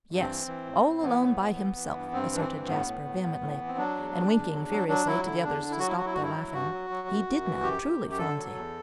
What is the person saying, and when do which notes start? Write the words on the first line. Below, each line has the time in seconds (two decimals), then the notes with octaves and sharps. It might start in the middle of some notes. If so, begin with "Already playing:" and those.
"Yes, all alone by himself," asserted Jasper, vehemently, and winking furiously to the others to stop their laughing; "he did now, truly, Phronsie."
0.11 G2
0.20 C4
0.29 E3
0.47 E3
0.66 A2
0.84 A2
1.03 E3 B3
1.20 A2
1.40 A2
1.58 E3
1.76 E3
1.95 G2
2.12 G2 C4
2.31 E3 D4
2.40 C4
2.49 G2
2.68 A2 B3
2.86 A2
3.04 A2
3.23 A2
3.41 A2
3.60 E3
3.69 C4
3.78 F#3 D4
3.96 E2
4.14 E2
4.33 E2
4.51 F#3
4.70 F#3
4.88 F#3 D4
5.06 F#3 E4
5.24 D3 E4
5.43 E2 D4
5.62 D3
5.71 E4
5.79 F#3 F#4
5.88 E4
5.97 F#3 F#4
6.05 E4
6.14 G2 F#4
6.22 E4
6.35 F#3
6.53 G2 F#4
6.71 F#3
6.90 F#3
7.08 F#2
7.27 F#2
7.45 E3
7.63 F#2 G4
7.82 F#2
8.00 F#2
8.10 G4
8.18 D3 A4
8.37 F#3
8.55 E2